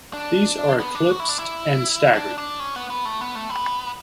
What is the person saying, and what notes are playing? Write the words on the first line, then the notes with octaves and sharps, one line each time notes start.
These are eclipsed and staggered.
D4
B3
D4
F#4
E4
D4
E4
D4
D4
C#4
B3
B3
A3
B3
A3
B3